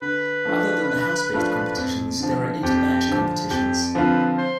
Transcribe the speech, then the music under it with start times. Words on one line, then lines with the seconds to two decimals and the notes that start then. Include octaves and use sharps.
Other than the house-based competitions, there are inter-batch competitions.
0.02 D3 B4
0.45 F3 A3 D4 F4
0.89 D3
1.33 F3 A3 D4 F4
1.76 F2
2.20 D3 F3
2.63 F2 G4
3.08 D3 F3
3.50 F2 G4
3.94 D3 F3 C4 F4 B4
4.38 C5